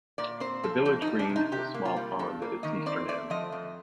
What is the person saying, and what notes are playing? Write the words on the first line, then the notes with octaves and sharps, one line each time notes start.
The village green has a small pond at its eastern end.
A#2 D5
C4 C5
F3 A4
F2 G4
D#4
G3
D4
C3
D#4
C3 G4
A#3
F4
G3
G2 A4
A#3
D#3 D#5
C4 D5
A3 D5
F3 D#5
F2